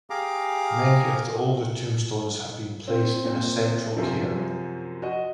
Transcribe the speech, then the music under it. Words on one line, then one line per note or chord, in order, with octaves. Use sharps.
Many of the older tombstones have been placed in a central cairn.
G4 G#4 F5 A#5 D6
C4
A#2 C4
F#2 C3 F3
F#4 D#5